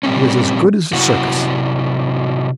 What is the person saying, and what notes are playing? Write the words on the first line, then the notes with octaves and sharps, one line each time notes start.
It was as good as a circus!
A#2 G3 C4 C#4
C3 F#3 E4 F#4 F#5